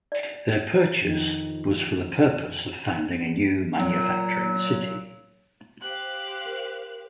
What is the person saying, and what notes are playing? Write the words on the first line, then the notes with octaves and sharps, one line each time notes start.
Their purchase was for the purpose of founding a new manufacturing city.
D5
F2 D#3
A#2 F#3
G4 C5 F5 F#6
A#4